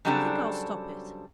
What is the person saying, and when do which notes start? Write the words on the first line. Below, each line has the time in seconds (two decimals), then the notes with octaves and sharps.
I think I'll stop it.
0.05 C#3 F#3 G3 C4 D4 A4